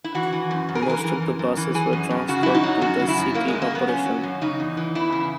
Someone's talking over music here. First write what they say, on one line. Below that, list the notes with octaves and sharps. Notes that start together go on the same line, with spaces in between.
Most of the buses were transferred to the city operation.
E4
E3 F#4
E3
F#2
F#2
A#4
G#4
E3 A#4
E3
F#2
F#2
E3
E3 G#4
F#2
F#2
C#3 F#4
F#2 E4
D#4
F#3
F#2 F#4
C#3
E4
F#2
F#3 A#3
F#2 G#3
A#3
C#3 B3
F#2 C#4
F#3
F#2
C#3 D#4
E2
E3
E2 E4
C#3